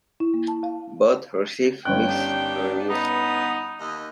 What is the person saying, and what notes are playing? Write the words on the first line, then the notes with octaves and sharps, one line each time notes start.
Both received mixed reviews.
E4
A#3
A5
F5
G1 C#4 G5 F#6
D#3 D4 G4
B3 D#4
D#2 D#5